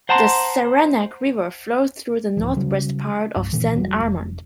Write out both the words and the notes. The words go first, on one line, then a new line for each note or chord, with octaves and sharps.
The Saranac River flows through the northwest part of Saint Armand.
C5 F#5 A5 A#5 C6
C2 G#2 F3
C#3 F#3 G3
C2 G2
A#2 D#3 E3
F1 F2 F#3 G3
F1